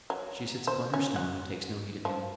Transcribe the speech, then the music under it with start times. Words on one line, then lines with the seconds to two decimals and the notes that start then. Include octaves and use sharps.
She sits upon her stone, and takes no heed of him.
0.10 F#3
0.67 C5
0.94 C#4
1.16 F#5
2.05 F3